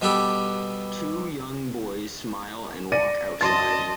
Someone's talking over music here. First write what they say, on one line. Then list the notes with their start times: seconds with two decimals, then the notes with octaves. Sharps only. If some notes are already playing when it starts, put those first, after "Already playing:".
Two young boys smile and walk outside.
0.02 B2 G3 B3 G4 A4
2.92 D5 A#6 C#7 D#7
3.41 F#2 D#5 A5 C6 A6